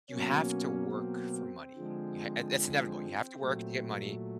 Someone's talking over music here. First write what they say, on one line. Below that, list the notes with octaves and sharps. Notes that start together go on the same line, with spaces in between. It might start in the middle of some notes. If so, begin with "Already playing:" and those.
you have to work for money. Y ha uh, it's inevitable. You have to work to get money.
B2 F#3 A#3 C#4
C4
D3 F3 G#3
A#2 F#3 A3